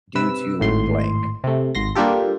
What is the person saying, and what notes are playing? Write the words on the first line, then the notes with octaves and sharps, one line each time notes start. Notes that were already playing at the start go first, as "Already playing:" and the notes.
due to blank."
C3 B4 E6
G#1 A2 C6
C3 A3
G#1 C6 A#6
G3 A#3 D4 F4 G4 A4